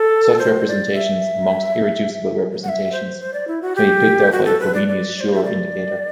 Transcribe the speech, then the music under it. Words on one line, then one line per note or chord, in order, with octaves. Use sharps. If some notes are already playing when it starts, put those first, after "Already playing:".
Such representations, amongst irreducible representations, can be picked out by the Frobenius-Schur indicator.
Already playing: A4
C5
D5
E5
F#5
E5
C5
C5
D5
E4
F#4
G4
F#4
A4
B4
D5
D5
D5
C5
E5
D5